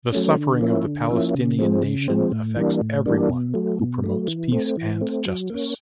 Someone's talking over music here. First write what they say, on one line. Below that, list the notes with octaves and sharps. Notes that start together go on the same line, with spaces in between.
The suffering of the Palestinian nation affects everyone, who promotes peace and justice.
F#3 A3 C#4
D3
F3 A#3 C#4 E4
D3
F3 A#3 C#4 E4
C#3
F3 G#3 C4
C#3
F3 G#3 C4
A2
E3 G3 A#3 D4
A2
E3 G3 A#3 D4
B2
F#3 A3
B2
F#3 A3
E3
A3 C4
E3
A3 C4
F#3
A#3 C#4